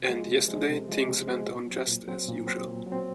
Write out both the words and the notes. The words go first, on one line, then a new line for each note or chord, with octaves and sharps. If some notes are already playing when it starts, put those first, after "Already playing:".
And yesterday things went on just as usual.
Already playing: C3
F3 G#3
C3
F3 G#3
C3
F3 G#3
C3
F3 G#3
A#2
F#3 C4
A#2
F#3 C4
A#2
F#3 C4
A#2
F#3
C4